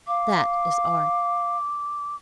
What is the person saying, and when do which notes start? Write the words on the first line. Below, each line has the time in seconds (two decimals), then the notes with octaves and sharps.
That is Art.
0.08 F5 D6